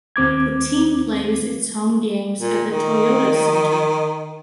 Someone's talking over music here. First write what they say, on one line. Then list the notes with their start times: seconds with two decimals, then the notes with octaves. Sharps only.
The team plays its home games at the Toyota Center.
0.16 D#2 C4 D6 G#6
2.39 A#2
2.69 D#3